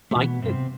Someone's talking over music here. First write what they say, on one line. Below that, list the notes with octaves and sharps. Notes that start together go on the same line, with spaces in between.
Like it?
A3
B2 E3 B3
G2 C3 C4